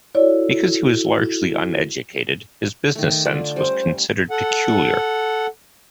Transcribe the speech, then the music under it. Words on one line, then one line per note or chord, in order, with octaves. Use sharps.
Because he was largely uneducated, his business sense was considered peculiar.
E4 F#4 A4 C#5 D5
D#3 A3
D3 D4 F4
G3 C#4 C5
A4 F#5